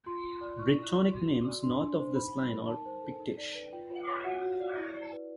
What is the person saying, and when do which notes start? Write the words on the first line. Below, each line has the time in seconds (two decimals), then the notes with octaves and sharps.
Brittonic names north of this line are Pictish.
0.06 F4 C6
0.24 F4
0.41 D5
0.58 E4 C#6
0.76 E4 C#6
0.93 D5 C#6
1.11 F#4 C6
1.28 F#4
1.46 D5
1.63 D4 C6
1.81 D4
1.98 C5
2.15 D#4 B5
2.33 D#4
2.51 A#4
2.67 D#4 A5
2.86 C5
3.02 A4
3.20 D#4
3.37 D5
3.55 B4
3.72 F4 G5
3.90 F4
4.07 C#5
4.24 F#4 F#5
4.42 F#4
4.59 D5
4.77 E4
4.94 D5
5.12 B4